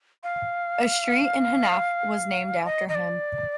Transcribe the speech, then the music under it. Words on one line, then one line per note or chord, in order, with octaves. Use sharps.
A street in Hennef was named after him.
F5
D#5
D#5
D5